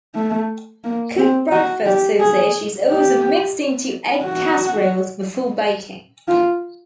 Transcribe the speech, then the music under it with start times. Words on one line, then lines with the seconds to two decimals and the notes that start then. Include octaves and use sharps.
Cooked breakfast sausage is also mixed into egg casseroles before baking.
0.15 A3
0.84 A#3
1.18 C4
1.52 F#4
1.86 G4
2.20 G#4
2.89 G4
4.24 F#4
6.28 F4